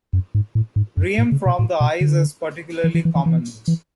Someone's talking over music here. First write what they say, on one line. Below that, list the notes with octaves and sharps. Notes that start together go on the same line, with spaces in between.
Rheum from the eyes is particularly common.
F#2
G#2
A2
G#2
F#2
A2
C#3
B2
A2
B2
D3
E3
E3
E3
E3
E3
E3